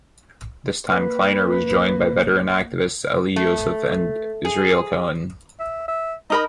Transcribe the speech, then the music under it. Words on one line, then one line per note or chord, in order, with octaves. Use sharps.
This time Kleiner was joined by veteran activists Elie Yossef and Israel Cohen.
A#3 B4
A3
G#4
E5
E5
D#4 A#4 D#5 B5